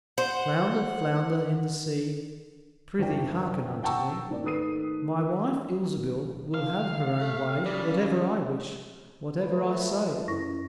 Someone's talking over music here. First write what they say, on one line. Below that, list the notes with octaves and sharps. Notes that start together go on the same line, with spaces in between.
"Flounder, flounder in the sea, Prythee, hearken unto me: My wife, Ilsebil, will have her own way Whatever I wish, whatever I say."
C5 F#5
F#1 F3 D4 G5
F#5 G5 A5 A#5 C#6 E6
G#2 A#3 D5
D#3 A3 B4 D#6 C7 D#7
F3 F5
A3
C#3 G3
F3 A3 B4
F#2 E4 C#6 A#6